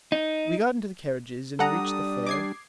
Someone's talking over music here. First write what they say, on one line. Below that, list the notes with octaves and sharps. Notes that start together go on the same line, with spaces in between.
We got into the carriages, and reached the fair.
D#4
G3 D4 A4 F#5 A#5 D#6
D6 G#6 C7